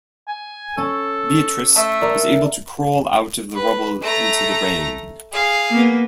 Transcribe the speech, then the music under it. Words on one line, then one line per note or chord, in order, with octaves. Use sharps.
Beatrice was able to crawl out of the rubble into the rain.
G#5
C#4 A4
A3 A4 E5
A#4 D5
B4
A3 A#5
G#4 F5
A#3 B3